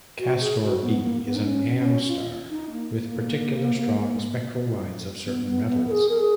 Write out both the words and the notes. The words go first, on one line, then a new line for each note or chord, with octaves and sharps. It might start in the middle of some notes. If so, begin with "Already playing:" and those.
Castor B is an Am star, with particularly strong spectral lines of certain metals.
F#4
G#4
F#4
B3
A#3
B3
D#4
C#4
C#4
F4
D#4
A#3
B3
B3
B3
A#4
G#4
A#4
G#4